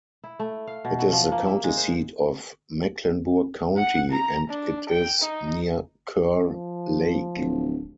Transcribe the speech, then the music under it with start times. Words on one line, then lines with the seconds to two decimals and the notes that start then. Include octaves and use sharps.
It is the county seat of Mecklenburg County, and it is near Kerr Lake.
0.24 E4
0.39 A3
0.67 F5
0.85 B2
0.99 F#3
1.12 F3
1.32 A#3
1.47 E5
1.64 G#3
1.77 C5
3.77 F#5
4.12 A#5
4.50 D4
4.89 G5
5.22 D#4
6.45 F3
7.37 D1